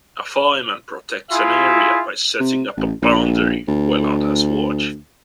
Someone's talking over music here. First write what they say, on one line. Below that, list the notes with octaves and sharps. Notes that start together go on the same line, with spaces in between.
A fireman protects an area by setting up a boundary while others watch.
E4 F4 G#4 E5
C3
A1
A#1
D2